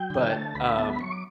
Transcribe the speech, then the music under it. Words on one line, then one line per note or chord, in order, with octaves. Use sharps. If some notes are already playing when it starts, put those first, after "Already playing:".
but, um,
Already playing: F#3 G5
D3
A3 A5
D2 B5
B3 A5
B5
F#3 C#6
D6